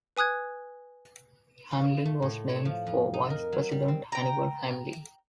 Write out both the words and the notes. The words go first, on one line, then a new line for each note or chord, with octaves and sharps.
Hamlin was named for Vice President Hannibal Hamlin.
B4 G#5 D#6 F#6 G#6
F4
A3
A2
C#5
F3
F2
D#4
A#4
F#3
G3
C4
G5 A#5